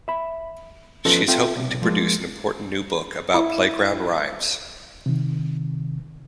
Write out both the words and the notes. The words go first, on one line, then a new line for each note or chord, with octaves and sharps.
She is hoping to produce an important new book about playground rhymes.
E5 B5
F3 B3 C#4 D#4 F4 A4
C4 F4 A4 E5 G5
B1 C3
F3 G#3 A#3
E4
C3 D#3